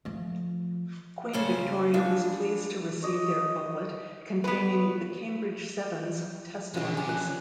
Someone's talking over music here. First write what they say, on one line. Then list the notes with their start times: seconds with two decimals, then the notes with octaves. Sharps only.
Queen Victoria was pleased to receive their booklet containing The Cambridge Seven's testimonies.
0.05 F3 A3
1.33 G2 C#3 C#4 C5 A5
1.94 F3 G#3 B3 D4
3.02 C#5 D#5 D6
4.44 B3 B4
6.74 B2 F3 G#3 C#4
6.97 G4 G#5
7.09 D4 F#6